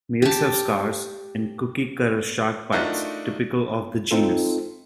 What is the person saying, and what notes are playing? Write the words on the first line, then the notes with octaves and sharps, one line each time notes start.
Males have scars and cookie cutter shark bites typical of the genus.
G4 A5
A3 D4 D#4 F4 F#4 A#4
C4 D#4 F4 A4